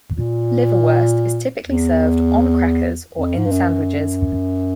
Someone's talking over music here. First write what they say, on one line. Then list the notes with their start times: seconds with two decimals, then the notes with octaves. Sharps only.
Liverwurst is typically served on crackers or in sandwiches.
0.13 A#2
1.63 E2
3.15 F2
3.37 G#2
3.45 G2
3.52 F#2